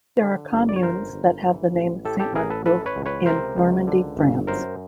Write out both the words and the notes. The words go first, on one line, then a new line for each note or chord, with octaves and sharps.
There are communes that have the name "Saint-Marcouf" in Normandy, France.
D3
G1
D5
C#5
F#2 A#4 C5
G1
E3
A1
A2 G4 A4
G4 A4
A1 G#4 A#4
A4 B4
E3 A4 B4
B4 C#5
C#2
B4 C#5
C3 A#4 C5
C#2
D3
G1
F#2 A#4 C5